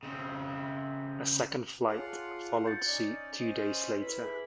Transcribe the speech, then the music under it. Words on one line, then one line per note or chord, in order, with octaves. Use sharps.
A second flight followed suit two days later.
C#3 C4
F4 G#4 C#5 F5 F#5 A5
G6 A6 C#7
C#4 D#4 D5
C#4 C5 D#5
E4 B4 B5
G#4